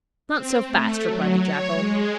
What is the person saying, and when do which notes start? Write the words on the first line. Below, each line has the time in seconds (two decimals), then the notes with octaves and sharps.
'Not so fast,' replied the jackal.
0.33 C4
0.67 A3
1.04 F#3
1.39 C#5
1.72 G#3